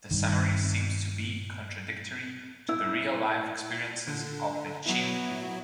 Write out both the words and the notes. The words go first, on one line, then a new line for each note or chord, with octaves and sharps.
The summary seems to be contradictory to the real-life experiences of the Chin people.
G2 D#3
E4
D3
F#3 B3 E4